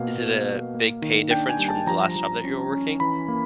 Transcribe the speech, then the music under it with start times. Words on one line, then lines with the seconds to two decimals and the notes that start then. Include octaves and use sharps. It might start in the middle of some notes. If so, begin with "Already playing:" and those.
Is it a big pay difference from the last job that you were working?
Already playing: B2 A#3 F5
0.18 B2
0.47 A#3
0.75 A#3
1.02 D#3
1.30 D4 G5
1.49 G#5
1.59 G3
1.69 A5
1.87 F3 A#5
2.16 F3
2.44 C#4
2.72 C#4
3.00 E3 B5
3.28 A#3